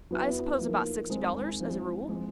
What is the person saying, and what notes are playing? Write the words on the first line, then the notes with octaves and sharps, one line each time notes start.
"I suppose about sixty dollars, as a rule."
F#3 B3 E4
F3 A#3 D#4
D#3 G#3 C4 D#4
F3 G#3 C4 E4
F3 G#3 C4